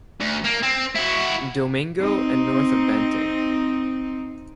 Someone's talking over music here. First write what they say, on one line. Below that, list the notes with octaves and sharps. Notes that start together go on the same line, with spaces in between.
Domingo and north of Bantay.
D2
A#3
C4
E4 F#4
C4 D#4